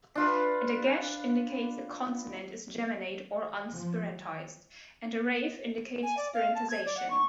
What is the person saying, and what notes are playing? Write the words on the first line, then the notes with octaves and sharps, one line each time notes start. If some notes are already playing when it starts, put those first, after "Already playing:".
A "dagesh" indicates a consonant is geminate or unspirantized, and a "raphe" indicates spirantization.
D4 F4 B4
F3
G#5
D5
F5
A5
G#6
D5
F#5
C#6